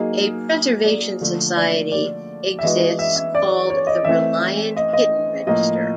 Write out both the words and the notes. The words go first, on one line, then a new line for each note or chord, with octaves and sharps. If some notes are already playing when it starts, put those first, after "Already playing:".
A "Preservation Society" exists called the Reliant Kitten Register.
Already playing: F#3 A#3 D#4 G#4 D#5
D5
D3 F3 A3
D5
D5
E5
E3 G#3 B3 D4 F#4 D#5
D#5
E5
E5
D5
C#5
D#5
E3 A3 C4 E5
D#5
D#5
A2 F3 A#3 D#5